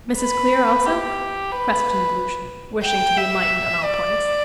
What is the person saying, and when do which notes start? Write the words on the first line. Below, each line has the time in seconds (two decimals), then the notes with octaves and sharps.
"Mrs. Clear, also?" questioned Lucian, wishing to be enlightened on all points.
0.19 B4
0.86 G4
1.51 B4
2.84 G5
3.18 E5
3.84 D5